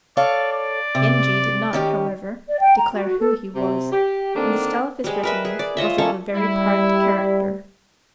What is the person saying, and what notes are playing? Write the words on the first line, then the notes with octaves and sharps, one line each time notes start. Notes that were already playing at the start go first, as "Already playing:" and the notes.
Genji did not, however, declare who he was, and the style of his retinue was of a very private character.
A4 C#5 D5 F5
D5
C3
D#3 C#4 G4
D5
G5
A#5
F#4
A4
C3
G4
D3 D#3 A#3 C4 D4
G3 G#3
A#4 B4 E5
G#4
D5
F4 C#5 D#5 E5
A#3 C#4 A4 C#5
G3 E4